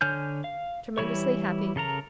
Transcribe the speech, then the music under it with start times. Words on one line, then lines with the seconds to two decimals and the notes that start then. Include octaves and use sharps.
'Tremendously happy.
0.01 D3 C#5 G#5 F6 G6
0.44 F5
0.98 E3 G3 E4 C#5 C#6
1.76 C#3 A4 A#4 A#5